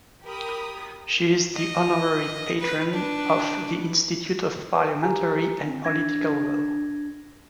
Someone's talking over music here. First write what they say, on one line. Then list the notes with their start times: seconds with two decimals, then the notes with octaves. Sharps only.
She is the Honorary Patron of the Institute of Parliamentary and Political Law.
0.24 G4 A#4 B5 D#6
1.55 D#5
2.60 B4
2.93 D4 B4
4.73 B4
5.02 G4 G#5 A#5
5.66 C4
5.85 D4 G#6 A#6